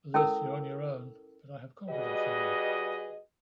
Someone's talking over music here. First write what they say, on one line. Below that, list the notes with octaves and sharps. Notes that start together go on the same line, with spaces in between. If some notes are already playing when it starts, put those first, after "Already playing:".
For this you’re on your own, but I have confidence in you.
C#4 E4 A4 A#4 E6
G3 F#4 G#4 B4 D#5